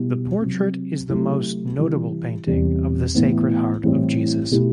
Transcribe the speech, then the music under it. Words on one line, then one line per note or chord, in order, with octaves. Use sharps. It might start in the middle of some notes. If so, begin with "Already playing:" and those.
The portrait is the most notable painting of the Sacred Heart of Jesus.
Already playing: B2 G3 B3 E4 G4
C3 F#3 C4
C3 F#3 A3 E4 G4
C3 E3 G3
E2 C3 G3 C4
A2 E3 B3 E4
A2 E3 G3 C4 G4
B2 A3 E4 G4